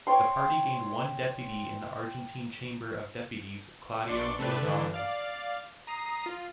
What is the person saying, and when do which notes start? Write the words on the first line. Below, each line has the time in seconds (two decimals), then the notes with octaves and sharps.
The Party gained one deputy in the Argentine Chamber of Deputies, Claudio Lozano.
0.07 C#5 G5 C6
4.07 A#1 D4 D5 C6 C#6 C#7
4.39 C3 A3 D4 B4
4.62 D3 E3 D4
4.94 D5 F5
5.87 A#5 D#6 C7
6.26 F4